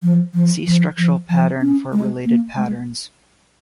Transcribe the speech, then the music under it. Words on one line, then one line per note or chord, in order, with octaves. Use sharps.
See Structural pattern for related patterns.
F3
F3
F3
F3
F3
C#4
G#3
A#3
G#3